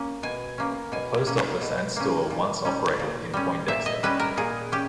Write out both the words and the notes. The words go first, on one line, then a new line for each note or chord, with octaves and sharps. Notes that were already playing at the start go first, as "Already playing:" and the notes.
A post office and store once operated in Poindexter.
Already playing: A#3 C#4
B2 G#5
A#3 C#4
B2 G#5
A#3 C#4
B2
A#3 C#4
A#2
G3 C#4
A#2
G3 C#4
A#2 E5
D#5
G3 C#4 B4
A#4
A#2 G#4
C#4 G4